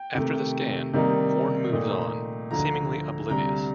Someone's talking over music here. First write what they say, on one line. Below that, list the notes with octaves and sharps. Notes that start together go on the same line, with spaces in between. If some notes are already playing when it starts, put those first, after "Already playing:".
After the scan, Horn moves on, seemingly oblivious.
Already playing: G5
C3 D#3 A3
C3 D#3 G3 A#3 D#4
A#2 A3 D#4
D2 D3 F3 A#5
D2 C3 G3 A#5